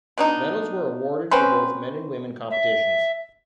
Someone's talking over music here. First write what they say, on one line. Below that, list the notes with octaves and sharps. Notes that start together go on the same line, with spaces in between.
Medals were awarded for both men and women competitions.
B2 D4 D#4
C4 C#4 B4 C5
E5